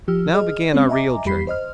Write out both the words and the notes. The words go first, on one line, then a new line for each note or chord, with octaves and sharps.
Now began our real journey.
F3 G4 E6 F6
G#4 D#5 F6
G#3 C4 C#4 C#5
D#5 E5 G#5 A#5 D6
F2 G3 G4 B5 B6 C7
C5 D#5 F6